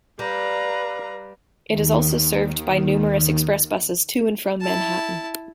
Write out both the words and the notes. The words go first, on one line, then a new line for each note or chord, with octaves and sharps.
It is also served by numerous express buses to and from Manhattan.
G3 B4 F5 A#5
D#2 D#3
E4 A5